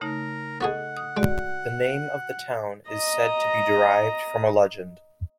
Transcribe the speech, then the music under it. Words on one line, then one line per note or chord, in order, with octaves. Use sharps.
The name of the town is said to be derived from a legend.
C#3 A3 D#4 A#4
B3 F#4 G#4 A4 D#5 F#5
D#6
G#3 F#4 D5
D#5 A#5